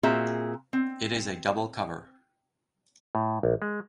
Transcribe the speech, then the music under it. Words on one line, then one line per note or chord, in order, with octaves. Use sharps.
It is a double cover.
A#2 C4 F#4 G#4 E5 A#5
C4
A2
A#1
G#3